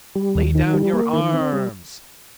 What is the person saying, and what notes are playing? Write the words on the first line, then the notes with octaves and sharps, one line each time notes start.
"Lay down your arms!"
G3
D#2
D#3
G3
A#3
D#3
C4
G3